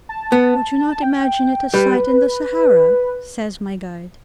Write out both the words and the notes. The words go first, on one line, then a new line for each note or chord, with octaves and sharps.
"Would you not imagine it a site in the Sahara?" says my guide.
A5
B3
A5
G5
G3 B4